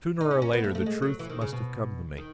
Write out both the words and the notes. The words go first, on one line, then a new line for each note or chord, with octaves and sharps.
Sooner or later the truth must have come to me.
D#4
C#4
C#4
B3
A3
A3
G#3
F#3
E3
D#3
C#3
B2
D#3